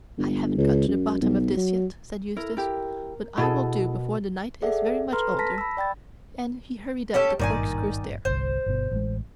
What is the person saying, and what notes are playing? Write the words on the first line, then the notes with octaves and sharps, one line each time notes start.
"I haven't got to the bottom of this yet," said Eustace, "but I will do before the night is very much older," and he hurried up the corkscrew stair.
G1
C#2
F#2
B1
F#3
E4 A#4
E4 G4
B2 E4 G#4 A4
G#4 A4 D5 E5 F#5
A4 B4 A#5 C6 F6
A5 A#6 B6
B5 E6
D5 G5 B5 A6
C#4 G4 A4
G#1 G2 A#2 D#3 D5 G#5
G1 C2 C5
G1 B2
A1 G#3